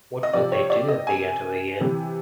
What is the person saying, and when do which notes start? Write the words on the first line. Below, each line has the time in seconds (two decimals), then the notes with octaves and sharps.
What would they do at the end of a year?
0.23 D#5
0.33 C3 F3 D5
0.52 C#5
0.70 D5
0.88 D#5
1.07 G#5
1.80 C3 E3